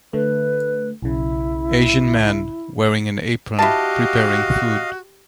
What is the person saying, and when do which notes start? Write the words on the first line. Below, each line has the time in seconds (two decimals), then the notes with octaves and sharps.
Asian man, wearing an apron, preparing food.
0.13 D3 A3 B4
1.02 B1 C#3 E4
3.59 E4 F#4 G4 D#5 F5 A5